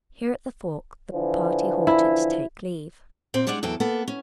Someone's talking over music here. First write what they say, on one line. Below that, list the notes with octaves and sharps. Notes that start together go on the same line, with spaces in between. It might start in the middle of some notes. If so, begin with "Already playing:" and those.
Here, at the fork, the party halted to take leave.
D3 E3 F3
E4
A#2 C4 C5
G3 G#3 D4 D5 F#5
E2 F#3 A4 G5
A#3 B3 A4
C#4